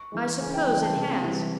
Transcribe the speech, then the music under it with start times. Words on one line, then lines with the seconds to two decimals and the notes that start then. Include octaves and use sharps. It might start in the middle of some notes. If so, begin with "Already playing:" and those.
I suppose it has.
Already playing: C#6
0.12 E3 G#3
0.40 C#3 G#5
0.54 G5
0.68 E3 G#3 G5
0.82 A5
0.96 C3
1.24 E3 G3